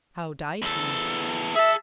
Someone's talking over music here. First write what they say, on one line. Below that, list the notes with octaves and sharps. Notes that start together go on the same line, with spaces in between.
"How died he?"
E2 A4
G#4 E5 A5